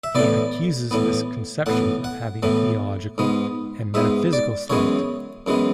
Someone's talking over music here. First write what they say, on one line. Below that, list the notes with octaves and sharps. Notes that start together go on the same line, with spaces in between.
He accuses this conception of having a theological and metaphysical slant.
E5
A2 E3 B3 D5
A2 E3 B3
A2 E3 B3 F#5
F#5
A2 E3 B3
G#2 G#3 B3
G#2 G#3 B3 E5
D5
F#2 E3 G#3 B3 C#5
F#2 E3 G#3 B3